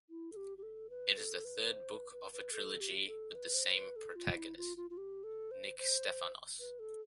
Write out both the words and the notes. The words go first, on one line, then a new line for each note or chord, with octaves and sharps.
It is the third book of a trilogy with the same protagonist, Nick Stefanos.
E4
A4
G4
G4
A4
B4
A4
B4
C5
B4
B4
B4
A4
G4
A4
B4
C5
B4
A4
F4
E4
F4
F4
F4
G4
A4
C5
C5
B4
A4